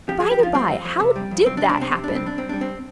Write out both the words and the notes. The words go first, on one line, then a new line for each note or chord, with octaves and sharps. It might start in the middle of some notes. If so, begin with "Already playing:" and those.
By the by, how did that happen?
F3 G4
G#4
F3
G4
F3 F4
G3 C4
F2
F2
C3
G3
F2
C2 C4
D4
C2
D4
C3 C4
C3 C4
G3 D4
C4
C2 D4
G3 C4
G3 D4
C4